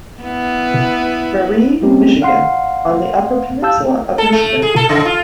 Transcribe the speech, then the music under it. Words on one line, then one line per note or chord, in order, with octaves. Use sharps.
Marie, Michigan on the Upper Peninsula of Michigan.
B3 E4
G3 A#3 C4 C#4 D#4 G4
D5 F5 F#5 C6 C7
G4 F5 A5 E6 G6
A4
A3
G#4
A4
C#3
F4